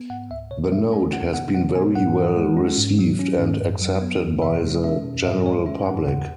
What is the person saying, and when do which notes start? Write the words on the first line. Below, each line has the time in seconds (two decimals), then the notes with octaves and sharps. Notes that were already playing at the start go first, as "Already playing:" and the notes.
The note has been very well received and accepted by the general public.
Already playing: B3
0.10 G#2 F#5
0.30 C#2 E5
0.51 B2 C#5
0.72 G#3 E5
0.92 C#4 G#5
1.12 B2 F#5
1.34 B3 F#5
1.54 B2 F#5
1.75 B3 G#5
1.95 G#2 F#5
2.15 E3
2.36 G#3
2.57 C#4
2.78 G#2
2.99 F#3
3.19 C#4
3.40 G#2
3.60 F#2
3.81 F#3
4.02 B3
4.22 F#2
4.42 B2 E5
4.63 G#3
4.84 C#4 E5
5.04 B2
5.24 G#2 E5
5.46 G#3 C#5
5.66 C#4 E5
5.82 G#5
5.86 G#2 F#5
6.07 E2 F#5